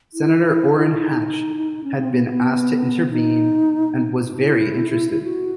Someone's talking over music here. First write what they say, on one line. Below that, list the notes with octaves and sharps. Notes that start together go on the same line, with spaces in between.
Senator Orrin Hatch had been asked to intervene and was "very interested".
E4
D#4
C#4
C4
B3
B3
D#4
E4
F#4